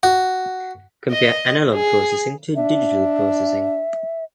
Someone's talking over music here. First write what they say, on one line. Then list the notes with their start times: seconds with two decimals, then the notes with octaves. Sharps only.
Compare analogue processing to digital processing.
0.03 F#4
1.11 D#5
1.73 G#4
2.56 D4 E5